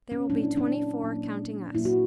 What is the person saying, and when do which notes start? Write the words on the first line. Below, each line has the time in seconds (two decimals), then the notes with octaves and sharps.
There will be twenty-four, counting us.
0.12 C#4
0.30 A#2 F#3 A#3 D4
0.43 E4
0.57 D4
1.03 A#2 F#3 A#3
1.75 A#2 F#3 A#3 E4
1.85 F#4